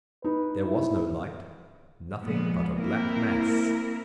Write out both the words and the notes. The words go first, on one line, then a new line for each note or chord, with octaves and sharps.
There was no light; nothing but a black mass.
D#4 B4
E4
A#2 F3 G#3 B3
A#3 C4 E4 A#4